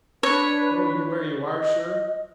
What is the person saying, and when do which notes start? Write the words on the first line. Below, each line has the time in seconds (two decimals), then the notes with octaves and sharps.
Know you where you are, sir?
0.23 D4 B4 C#5
1.48 D#5